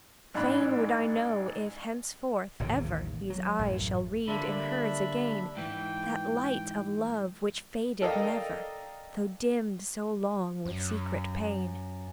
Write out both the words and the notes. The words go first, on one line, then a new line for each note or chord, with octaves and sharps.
Fain would I know if, henceforth, ever, These eyes shall read in hers again, That light of love which faded never, Though dimmed so long with secret pain.
A1 G#2 D4 B5 F#6
A1 D#2 G#2 C3
F#3
A1 F#2 A2
D3 G3 A#3 D4 E5 B5
G#2 E3 G5
A4 A#4 D5 D#5 F5 G5
F#2